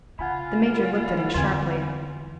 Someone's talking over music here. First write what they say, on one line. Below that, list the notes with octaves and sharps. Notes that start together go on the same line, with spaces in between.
The Major looked at him sharply.
C#3 F4 F#5 G#5 B5
E2 D3 C4